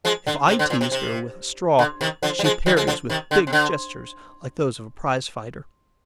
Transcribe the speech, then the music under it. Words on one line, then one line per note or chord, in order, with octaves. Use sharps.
If I tease her with a straw, she parries with big gestures, like those of a prize-fighter.
F3 G#3
D3
C3
D3
A#2
C3
C3
D3
C3 D#3
D3 F3
G3
F3 G#3
D#3 G3
F3 G#3
D3 F3
C3 D#3
D3
C3
D3